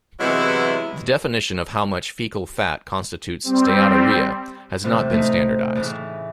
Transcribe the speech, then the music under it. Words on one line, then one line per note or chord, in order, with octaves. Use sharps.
The definition of how much fecal fat constitutes steatorrhea has not been standardized.
C3 E3 F#3 G#3 B3 E4
G3 C4
A2 C3 E3 C5
A3 D#4
A2 C#3 E3